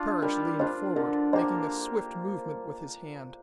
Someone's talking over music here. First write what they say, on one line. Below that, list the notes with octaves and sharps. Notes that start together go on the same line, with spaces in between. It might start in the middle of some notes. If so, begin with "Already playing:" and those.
Parrish leased forward, making a swift movement with his hand.
Already playing: F3 D4 F4
G3 A#4
D4 F4 C5
D3 A#4
A#3 G4 C5